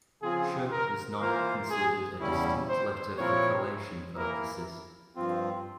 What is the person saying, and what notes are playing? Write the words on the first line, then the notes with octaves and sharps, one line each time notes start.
"Sh" is not considered a distinct letter for collation purposes.
C#3 F3 C4 F4 G#4
A#4
E3 A#3 F4 A#4 C5 F5
G#4
E2 C#3 G3 C#4 E4
C5
A#2 F3 C4 E4 A#4 C#5
E3 A#3 E4 A#4
G2 F3 C4 F4